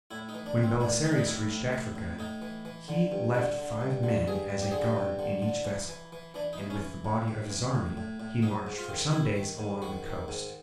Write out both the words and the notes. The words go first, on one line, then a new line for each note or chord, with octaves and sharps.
When Belisarius reached Africa he left five men as a guard in each vessel, and with the body of his army he marched for some days along the coast.
A2 E4
D#4
E3
D4
A2
C4
A2 D4
E3 D#4
D4
D#4
A2 E4
A2
E3
A2
A2 D#4
E3
E3
D3
G2
D3
D3
G2
D3
G2 G#4
G2
G4
D3 G#4
G4
G2
D3
D3
E3
E3
E3
E3 D4
D#4
E3
C#4
E3
A2
A2
E3
A2
A2
A2
G#2 D#4
G#2
F4
D#3
D#3 E4
D#3
G#2
D#3 F#4
D#3
G#2